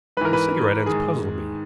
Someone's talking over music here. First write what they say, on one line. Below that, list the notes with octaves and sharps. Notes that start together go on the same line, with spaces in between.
The cigarette-ends puzzled me.
G#2 E3 A#4 B4
B4
G#2 D#3 G#4